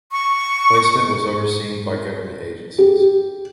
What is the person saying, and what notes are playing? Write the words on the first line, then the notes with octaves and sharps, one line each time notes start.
Placement was overseen by government agencies.
C#6
G4